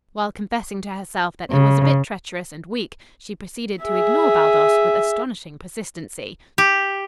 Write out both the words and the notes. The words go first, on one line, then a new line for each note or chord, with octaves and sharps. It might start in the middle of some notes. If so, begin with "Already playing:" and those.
While confessing to herself that it was a bit treacherous and weak, she proceeded to ignore Baldos with astonishing persistency.
C#3
G#4 E5
G4